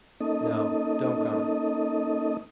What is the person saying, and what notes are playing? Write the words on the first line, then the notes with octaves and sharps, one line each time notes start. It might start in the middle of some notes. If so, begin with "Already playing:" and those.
"No. Don't come!"
A#3 C#4 D#4 A4 D#5